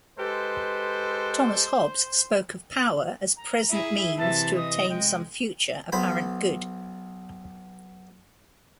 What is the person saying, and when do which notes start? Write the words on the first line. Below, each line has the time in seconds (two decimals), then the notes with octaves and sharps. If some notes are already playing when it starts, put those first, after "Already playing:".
Thomas Hobbes spoke of power as present means to obtain some future apparent good.
0.19 G#3 G4 A4 B4 C5
3.37 A#5
3.69 E4 G#4 E5
4.18 C3 E3 A5
4.56 D#5 D#6
4.90 G#3 G5
5.92 B1 C5 B5